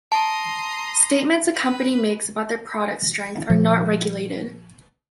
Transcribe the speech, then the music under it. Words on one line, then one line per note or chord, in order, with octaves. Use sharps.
Statements a company makes about their product strength are not regulated.
A5 A#5 C6 D#6
B4
A#2 F3